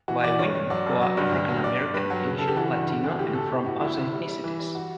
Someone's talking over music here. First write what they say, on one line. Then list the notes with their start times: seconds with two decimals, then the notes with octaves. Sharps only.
By women who are African American, Asian, Latino and from other ethnicities.
0.08 E3 F#4
0.23 E3 D5
0.39 G2 C#5
0.55 G2
0.70 F#3 D5
0.86 F#2
1.01 F#3
1.17 G2
1.32 D2
1.48 F#3
1.64 G2 D5
1.79 G2
1.94 G2 B4
2.10 F#3
2.26 C#3
2.38 C#3 A4
2.47 G4
2.57 E3 F#4
2.73 G2
2.88 D3
3.04 D2
3.19 A2 G4
3.34 A2 A4
3.50 A2 G4
3.66 A2 F#4
3.81 D2 E4
3.97 D2
4.12 G3
4.28 G3
4.44 E3
4.59 G3
4.75 F#4